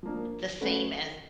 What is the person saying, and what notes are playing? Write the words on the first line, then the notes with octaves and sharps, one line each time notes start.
the same as
F3 A#3 D4
A3 C#4 F#4 B4